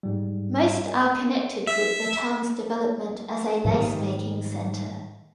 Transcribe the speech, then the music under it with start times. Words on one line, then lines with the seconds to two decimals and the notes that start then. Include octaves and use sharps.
Most are connected with the town's development as a lace-making centre.
0.03 G#2 G3
1.67 E5
3.65 G#2 D#3 G3